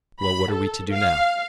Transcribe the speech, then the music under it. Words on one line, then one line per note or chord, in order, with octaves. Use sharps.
Well, what are we to do now?
B5
A4
F5